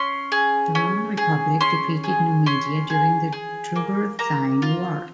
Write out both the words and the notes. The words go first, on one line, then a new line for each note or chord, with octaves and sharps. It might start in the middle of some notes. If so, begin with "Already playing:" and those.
The Roman Republic defeated Numidia during the Jugurthine War.
Already playing: C#4 C6
G#4
C#4
G#4
C#4 C6
G#4
C#4 C6
G#4
G#4
A#3
A#3 A#5
F4